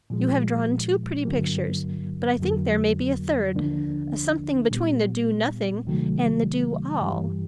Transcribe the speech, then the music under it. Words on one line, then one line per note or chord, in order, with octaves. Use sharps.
You have drawn two pretty pictures; but I think there may be a third--a something between the do-nothing and the do-all.
A#2 F3 G#3
G2 D3 F#3 A#3
F2 D3 F#3 A#3
D#2 D3 F3 A#3 D4
A#2 G3 B3
D2 C3 D#3 F#3 A3
G2 E3 G3